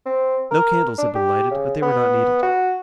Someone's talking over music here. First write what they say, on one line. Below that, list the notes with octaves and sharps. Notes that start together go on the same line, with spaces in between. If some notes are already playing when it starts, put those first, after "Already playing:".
No candles had been lighted, but they were not needed.
C4
A#4
D4
G4
C#3
B3
F#4